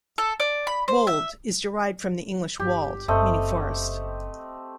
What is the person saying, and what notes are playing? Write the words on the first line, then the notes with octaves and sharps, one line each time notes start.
Wold, is derived from the Old English "Wald" meaning "forest".
A4
D5
B5
C5
E5
G1 G4
F#1 C#3 A3 C4 D#5